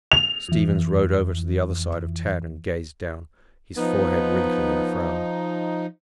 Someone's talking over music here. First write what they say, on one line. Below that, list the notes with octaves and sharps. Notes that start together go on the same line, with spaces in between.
Stevens rode over to the other side of Tad, and gazed down, his forehead wrinkling in a frown.
F7
F2 E3
F3 B3 D#4